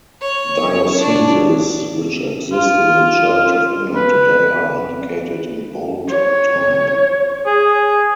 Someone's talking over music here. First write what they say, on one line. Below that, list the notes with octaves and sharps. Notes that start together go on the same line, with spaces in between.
Dioceses which exist in the Church of England today are indicated in bold type.
C#5
D4
F4
B4
C#5
G#4